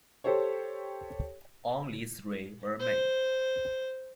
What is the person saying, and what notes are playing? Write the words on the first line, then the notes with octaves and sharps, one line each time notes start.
Only three were made.
G4 A4 C5 C#5
C5